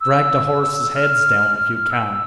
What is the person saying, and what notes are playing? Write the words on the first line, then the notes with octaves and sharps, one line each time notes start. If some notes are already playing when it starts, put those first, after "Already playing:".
Drag the horses' heads down, if you can!
E6
F6
E6